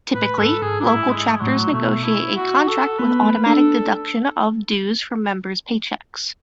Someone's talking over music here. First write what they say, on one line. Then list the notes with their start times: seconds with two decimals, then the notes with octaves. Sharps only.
Typically, local chapters negotiate a contract with automatic deduction of dues from members' paychecks.
0.14 A2 B4
0.38 G#2 A4
0.62 G#2 G#4
0.80 D4
0.86 A2 E4
1.09 G#2 G#3
1.40 A2 F#3
1.72 B2 A3
2.04 E4
2.36 F#4
2.68 A4
2.99 B3 B4
3.23 A3
3.46 D4 A4